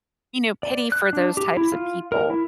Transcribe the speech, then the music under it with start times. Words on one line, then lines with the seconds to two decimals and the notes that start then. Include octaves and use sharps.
you know, pity for those types of people
0.63 D5
0.92 F#6
1.13 D4
1.37 G4
1.57 E4
1.72 F4
2.12 A#4
2.30 E4